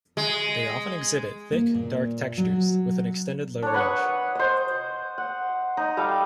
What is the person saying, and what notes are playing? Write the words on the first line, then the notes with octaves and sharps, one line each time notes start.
They often exhibit thick, dark textures, with an extended low range.
G#3
A#3
A#2
F#3
D4 C#5
B4 F#5 C#6 D#6
C5 D#5
F#5
D#4
G3 A4 F5